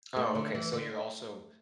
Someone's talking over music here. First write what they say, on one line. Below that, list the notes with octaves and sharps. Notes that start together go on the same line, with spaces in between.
Oh, okay, so you're also
A3
D3
E3
D3